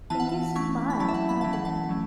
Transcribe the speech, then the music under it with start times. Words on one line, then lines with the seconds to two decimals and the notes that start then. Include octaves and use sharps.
Thank you so much. Oh my goodness.
0.10 E3 B3 E4 A5
0.20 F#5
0.29 A5
0.55 A3 C#4 E4 C#6
0.90 B5
1.00 F#3 C#4 E4 A5
1.08 E5
1.14 F#5
1.29 B5
1.41 E3 C#4 E4 A5
1.53 F#5
1.65 A5
1.89 F#3 A3 C#4